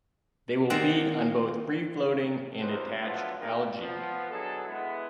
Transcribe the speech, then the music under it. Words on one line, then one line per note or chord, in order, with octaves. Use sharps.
They will feed on both free floating and attached algae.
D#3 A#3 C4 D5 F#5
A1 D2 C3 D#3 B4 C5
D3 F3 F#3 A3 B3 F4
G#1 D#3 A3 G4 A#4
F3 B3
B2 D3 F#3 G#4 A4
G#3 B3 E4